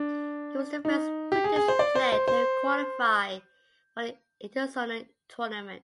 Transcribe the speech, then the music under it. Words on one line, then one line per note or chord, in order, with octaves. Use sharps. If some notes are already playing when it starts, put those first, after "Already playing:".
He was the first British player to qualify for an Interzonal tournament.
Already playing: D4
D#4
G4
G#4
G#4
C5
D5
C5
C5
C5